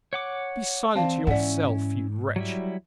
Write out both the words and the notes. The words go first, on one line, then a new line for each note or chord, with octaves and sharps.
'Be silent yourself, you wretch.
C#5 F#5 D6
E3 C4 F5 A5
G#2 C#4 E4 D5 F#5
F#3 G3 E4